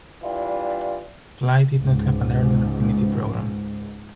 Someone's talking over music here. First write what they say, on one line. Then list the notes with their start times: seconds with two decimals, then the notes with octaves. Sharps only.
Fly did not have an airline affinity program.
0.22 E3 G3 D4 E4 F4
1.78 C#2 G#2